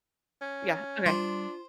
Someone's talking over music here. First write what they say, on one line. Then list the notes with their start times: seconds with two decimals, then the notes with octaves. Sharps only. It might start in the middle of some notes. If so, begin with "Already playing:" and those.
Yeah, okay.
0.41 C#4
1.06 G3 D4 F4 C5